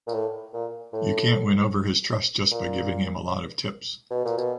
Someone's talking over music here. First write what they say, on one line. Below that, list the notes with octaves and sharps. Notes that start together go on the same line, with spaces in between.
You can’t win over his trust just by giving him a lot of tips.
A#2
A2
A#2
A2
A#2
B2
A#2
B2